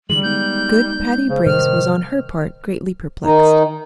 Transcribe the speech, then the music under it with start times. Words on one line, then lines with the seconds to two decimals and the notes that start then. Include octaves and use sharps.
Good Patty Brace was, on her part, greatly perplexed.
0.10 D3 E3 G3 G#3 F#7
0.23 G#3 B3 D#4 G6
1.29 C#3 C5
1.46 A2 C3 D#3 G3 F6
3.25 D#3 D#4